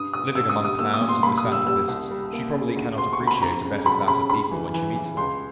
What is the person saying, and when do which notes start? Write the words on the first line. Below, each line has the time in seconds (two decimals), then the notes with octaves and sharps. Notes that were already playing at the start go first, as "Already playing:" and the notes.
Living among clowns and misanthropists, she probably cannot appreciate a better class of people when she meets them.
Already playing: G2 D#6
0.13 G2 D#6
0.35 D3 E6
0.50 D#6
0.57 G3
0.65 D#6
0.79 A#3 E6
0.94 D#6
1.01 A#2
1.09 C6
1.23 A#3 B5
1.38 D#6
1.45 G3
1.52 E6
1.67 G3 E6
1.88 C2
2.11 G3
2.33 A#3
2.54 C#3
2.76 D2
2.98 D2 C6
3.13 C#6
3.20 D2
3.27 B5
3.42 F2 A#5
3.64 C#3
3.86 F#3 B5
4.08 C#3 B5
4.30 G2 B5
4.51 E3
4.74 E3
4.95 E3
5.17 C#2 C6